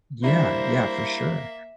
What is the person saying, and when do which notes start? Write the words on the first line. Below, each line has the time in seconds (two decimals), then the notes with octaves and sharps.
Yeah, yeah, for sure.
0.24 G3 A#3 D4 E4 C5 E5